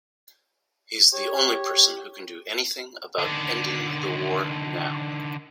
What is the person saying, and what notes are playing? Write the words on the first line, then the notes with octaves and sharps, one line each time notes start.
He's the only person who can do anything about ending the war now.
G4 C#5
D3 D#3